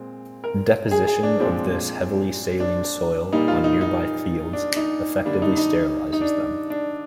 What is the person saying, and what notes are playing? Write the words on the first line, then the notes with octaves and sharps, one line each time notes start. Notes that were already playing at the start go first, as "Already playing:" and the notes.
Deposition of this heavily saline soil on nearby fields effectively sterilizes them.
Already playing: A#2 G#3 C4
A#4
G#4
G#4
D4
A#2 F3 G#3 C4
D4
A#2 G3 A#3 D#4
F4
D#4
D#4
D4
D#4
D3 G3 A#3 D4
D#4
D#4
D#4
D4
D4